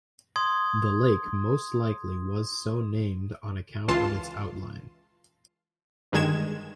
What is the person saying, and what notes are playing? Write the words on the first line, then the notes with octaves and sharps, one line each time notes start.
The lake most likely was so named on account of its outline.
C6 D#6 G#6
C#2 E3 F4 A5 C6
G1 G2 D#3 G#3 G#6 E7